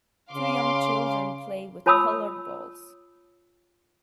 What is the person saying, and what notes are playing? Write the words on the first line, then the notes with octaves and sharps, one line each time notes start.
Two young children play with colored balls.
C#3 F5 C6 D6
F4 C#5 A5 B5 D#6 E6